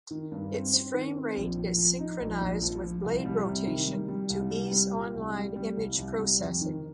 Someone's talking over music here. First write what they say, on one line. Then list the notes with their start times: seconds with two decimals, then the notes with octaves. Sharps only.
Its frame rate is synchronized with blade rotation to ease online image processing.
0.11 D#3
0.32 G2
0.53 C4
0.74 C4
0.94 D#3
1.16 C4
1.36 A#1
1.57 F3
1.78 F3
1.99 D#4
2.20 A#1
2.41 A#1
2.62 F3
2.83 F3
3.04 C2
3.25 G3
3.46 C3
3.67 D#3
3.88 G3
4.08 G3
4.30 C2
4.50 G3
4.71 G3
4.93 A#2
5.14 C2
5.34 G3
5.56 G3
5.77 C2
5.98 C2
6.19 G3
6.40 F2
6.61 D#3